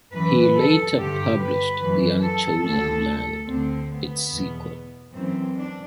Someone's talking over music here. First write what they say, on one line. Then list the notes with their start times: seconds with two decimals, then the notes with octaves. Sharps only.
He later published "The Unchosen Land", its sequel.
0.12 F#2 E3 B4
0.55 A4
0.96 G2 D3 G4
1.38 B4
1.80 F#2 E3
2.21 A4
2.63 D2 D3 A4
3.05 A4
3.47 D2 D3 C4
3.88 B3
4.30 E2 B2
5.14 F#2 E3 C4
5.56 D4